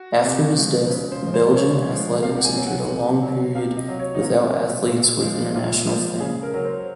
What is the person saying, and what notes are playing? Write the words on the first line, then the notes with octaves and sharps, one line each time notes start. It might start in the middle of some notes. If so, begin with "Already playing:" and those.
After his death, Belgian athletics entered a long period without athletes with international fame.
Already playing: F#4
C3
F3 G#3
C#3
C5
F3 G#3
C5
C#3 C#5
F3 G#3
C3 F5
F#5
G#5
F#3
F#5
C3
F#3
C3 F5
D#5
F#3
C#5
D#4
C3 F4
F#3
A#2
F3 G#3
A#2 F4
F3 G#3
C#3 G#4
A#4
F#3
C5